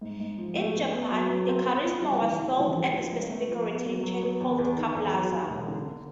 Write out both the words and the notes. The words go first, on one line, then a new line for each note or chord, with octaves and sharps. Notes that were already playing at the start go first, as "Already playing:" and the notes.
In Japan, the Carisma was sold at a specific retail chain called "Car Plaza".
G#2
G#2
F3
A3
B3
B3
F#3
F#3
C4
C4
F4
G3
E3
E3
E3
D#2
F3
C#2
A3
F3
B3
F#3
F#3
B3
E2
E2
D#3
E2
F#3
D#2
E1
D3
A#3